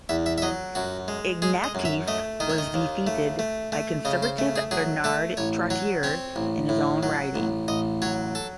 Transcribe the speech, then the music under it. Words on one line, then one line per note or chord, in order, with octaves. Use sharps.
Ignatieff was defeated by Conservative Bernard Trottier in his own riding.
E2 E5
E5
E5
F#3 D#5
F#2 F#4
G#3
G#3 G#4
D#5
F#2
E5
A3 D#5
D#3 D#5
C#5
D#5
D#2
A3
A3
A3
C#3 D#5
C5
A3
G#4
F#3 G#4
A3 A4
A1 C#5
F#3 C#5
C4 C#5
A1
A2
F#3
A1
A1 D#5
F#3 C#5
A4